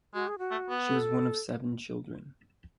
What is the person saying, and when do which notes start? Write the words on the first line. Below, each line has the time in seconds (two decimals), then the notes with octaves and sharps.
She was one of seven children.
0.14 G#3 F#4
0.28 G#4
0.39 F#4
0.51 A3
0.70 B3
0.88 A4